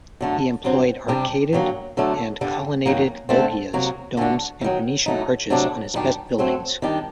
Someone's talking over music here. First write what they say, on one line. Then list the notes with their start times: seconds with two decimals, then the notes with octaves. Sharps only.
He employed arcaded and colonnaded loggias, domes, and Venetian arches on his best buildings.
0.21 F#2 D3 A3
0.64 G2 F#3 C4
1.08 C3 G3 D4 G4
1.53 G2 F#3 A#3
1.97 D3 F#3 A3
2.41 G2 D3 G3
2.86 F#2 D#3 F#3 A#3
3.29 D3 A3 C4
3.73 C3 F#3 A#3 F#4
4.17 D3 A3 D4 F#4
4.61 C3
4.64 D#3 F#3
5.06 A2 F#3 A3 D#4
5.50 C3 F#3 A3 D4
5.94 F#2 D#3 G3 D4 G4
6.38 F#3 A3 C4
6.82 D#3 G3 D4 G4